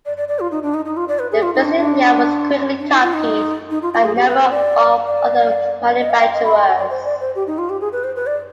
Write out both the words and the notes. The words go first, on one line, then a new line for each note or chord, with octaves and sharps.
The basic layout was quickly copied by a number of other manufacturers.
D5
D5
D5
F4
D#4
D4
D#4
D#4
F4
D5
B4
G#4
F4
D#4
D4
D4
D4
D#4
F4
D#4
D#4
F4
F4
G#4
G4
B4
C5
D5
D5
D#5
F5
G5
D#5
B5
C6
G#5
D5
C5
D5
C5
G4
D#4
F4
G4
G#4
B4
C5
B4
D5